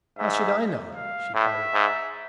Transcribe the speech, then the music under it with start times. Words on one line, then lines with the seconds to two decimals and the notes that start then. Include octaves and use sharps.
"How should I know?" she parried.
0.19 G#2 E5
0.95 F5
1.34 A2 E5
1.74 G#2